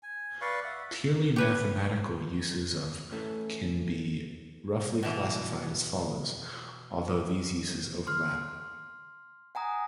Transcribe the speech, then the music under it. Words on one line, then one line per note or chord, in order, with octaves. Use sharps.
Purely mathematical uses of can be roughly classified as follows, although these uses overlap.
G#5
B4 D5 F5 C#6
E5 F#5
G4 B4 G#5
E3 A3 C#4
B2 E3
C6 F6
F#5 G#5 A#5 D#6